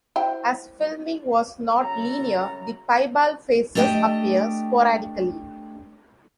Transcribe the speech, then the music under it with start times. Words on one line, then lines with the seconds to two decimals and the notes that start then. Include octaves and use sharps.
As filming was not linear, the piebald faces appear sporadically.
0.16 E4 C5 G5
1.82 F#2 C#3 A4 A#5
3.75 A3 D4 G4 D#5 G5